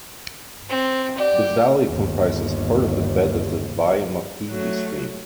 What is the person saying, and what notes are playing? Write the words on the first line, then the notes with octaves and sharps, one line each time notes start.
The Valley comprises part of the bed of the Wai-Mapihi Stream.
C4
D4 G4 D5 F#5
G1 D#2
F#3 A3